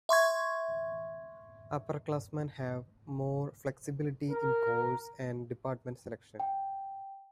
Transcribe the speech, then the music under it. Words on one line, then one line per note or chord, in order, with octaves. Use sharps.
Upperclassmen have more flexibility in course and department selection.
E5 C6 C#6 G#6
A#4
G5